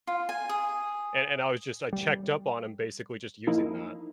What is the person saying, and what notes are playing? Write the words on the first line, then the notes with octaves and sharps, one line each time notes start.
and and I was just I checked up on him basically just using that
F4
G#5
G#4
G3
F3 A#3 D#4 E4